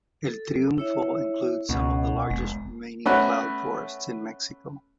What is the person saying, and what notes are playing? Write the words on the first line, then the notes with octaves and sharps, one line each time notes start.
El Triunfo includes some of the largest remaining cloud forests in Mexico.
A4
E4 C#5 E5
C#2 B2 C#4
F1 G#3
A3 B3 C#4 F#4 B4